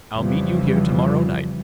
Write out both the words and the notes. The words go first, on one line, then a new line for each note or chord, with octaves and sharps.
I'll meet you here to-morrow night.
F2 C#3 E3 F3 G3